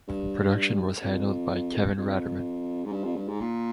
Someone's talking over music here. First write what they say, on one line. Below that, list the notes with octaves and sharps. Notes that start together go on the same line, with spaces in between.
Production was handled by Kevin Ratterman.
G2
F2
F2
G#2
G2
F2
G2
G#2
A#2